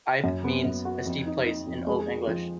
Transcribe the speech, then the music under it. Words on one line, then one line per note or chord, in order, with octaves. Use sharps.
Eype means 'a steep place' in Old English.
F#2
B3
F#2
F#4
F2
D#4
D#4
F2
G#3
G#3
F3